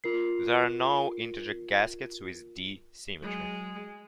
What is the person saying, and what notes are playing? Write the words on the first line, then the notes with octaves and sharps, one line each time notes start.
There are no integer gaskets with "D" symmetry.
F4 A#4 C7
F#3 G#3